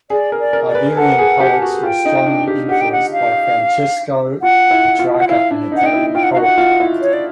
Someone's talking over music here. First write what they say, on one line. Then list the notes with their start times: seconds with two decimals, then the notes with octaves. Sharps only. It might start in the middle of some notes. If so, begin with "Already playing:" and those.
Iberian poets were strongly influenced by Francesco Petrarca, an Italian poet.
0.10 G#4 D5
0.32 A#4
0.40 D5
0.53 A#4
0.68 D5
0.75 B4
0.97 A4 F#5
1.19 G#4
1.40 G4
1.62 F#4
1.83 F4 G5
2.05 D#4
2.26 D4
2.48 G4
2.69 G4 F#5
2.81 G5
2.92 F#5
3.12 F5
4.42 F4 F#5
4.71 E4
4.99 F4
5.19 F#5
5.28 E4 F5
5.51 D4
5.72 D#4
5.76 F#5
5.83 D#4 G5
5.93 E4
6.15 F4 G5
6.23 F#5
6.33 F#4 F5
6.42 F#5
6.58 F4
6.80 E4
7.02 C#5
7.13 D5